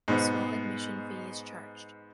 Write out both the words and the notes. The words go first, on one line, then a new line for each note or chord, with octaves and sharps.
A small admission fee is charged.
G#2 B2 B3